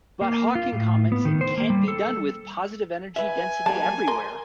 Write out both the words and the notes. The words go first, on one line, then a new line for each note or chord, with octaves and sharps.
But Hawking comments it can't be done with positive energy density everywhere!
A#3
F4
A2
B3
D#3
C5
A#3
G3
A4
B4 E5 G#5
F#3 G3 A#3 A5
A#4 C6